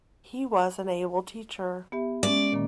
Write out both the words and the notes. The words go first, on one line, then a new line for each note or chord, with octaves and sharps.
He was an able teacher.
B3 G4 E5
G#3 C#4 D5
A#2 D#3 A#3